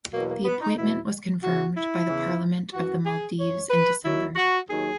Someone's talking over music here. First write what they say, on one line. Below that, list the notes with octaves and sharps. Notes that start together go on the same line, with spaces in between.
The appointment was confirmed by the Parliament of the Maldives in December.
E2 B2 F#3 A#3
A#3
B3
D#4
E2 B2 F#3 E4
E2 C#3 E3 F#4
E4
E2 C#3 E3
F#2 E3 F#4
G#4
F#2 E3 C#5
B4
D#2 D#3 F#3 E4
F#4
D#2 D#3 F#3 G#4